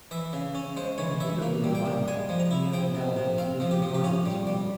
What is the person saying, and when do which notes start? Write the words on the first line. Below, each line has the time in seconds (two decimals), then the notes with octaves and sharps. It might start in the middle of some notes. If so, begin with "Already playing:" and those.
In the heat of the revival, the evangelicals disregarded this rule.
0.11 E3 E5
0.33 C#3
0.55 C#4
0.77 G#3 C5
0.98 E3 C#5
1.20 E3 E5
1.42 A#3
1.64 G3
1.75 G5
1.86 G3
2.08 G#3 G#5
2.29 F3
2.40 A#5
2.51 E4
2.73 F3 G5
2.95 C3
3.17 C3
3.38 C4 F5
3.60 F3
3.71 G4
3.82 F3
3.95 G4
4.04 C#4 F4
4.26 G3
4.47 G3